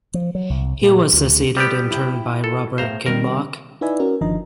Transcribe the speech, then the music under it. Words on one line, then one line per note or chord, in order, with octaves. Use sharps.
He was succeeded in turn by Robert Kinloch.
F3
F#3
C2
A#2
D2
G3 B3 G4
E4 G5
A4
A2 G#4 C5 F5 A#5
D#3 G3 C4 A#4
D#4 E4 B4 D5 E5 G#5
C#4 F#4 A#4
G1 D#3 F3 D4 D#5 A#5